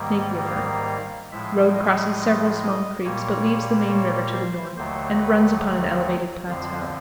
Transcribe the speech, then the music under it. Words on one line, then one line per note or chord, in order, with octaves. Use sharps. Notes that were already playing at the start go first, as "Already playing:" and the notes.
Snake River.--Road crosses several small creeks, but leaves the main river to the north, and runs upon an elevated plateau.
Already playing: G#2 D#3 G3 A#3
F5
A2 F3 G#3 E5
D#5
D#5
A#2 G3 A#3 C#5
C#5
C5
D#2 D3 F#3 A3 C5
B4
F2 D3 F3 C5